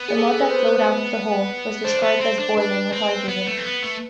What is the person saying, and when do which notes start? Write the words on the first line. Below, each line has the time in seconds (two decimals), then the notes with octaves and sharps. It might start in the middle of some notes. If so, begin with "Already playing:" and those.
The mud that flowed out of the hole was described as "boiling" with hydrogen.
Already playing: B3
0.09 G#4
0.17 A4
0.41 B4
0.51 C5
0.59 B4
1.85 D4 C5
2.03 B3
2.21 C4
2.39 D4
2.57 D4 B4
2.92 C4
3.28 B3
3.46 A3
3.57 C4
3.64 B3
3.83 A3